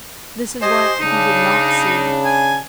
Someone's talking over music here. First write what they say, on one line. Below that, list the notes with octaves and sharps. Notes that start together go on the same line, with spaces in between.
This is what he did not see.
G4 C5 D#5 G#5
C#3 D4 D#4
G#5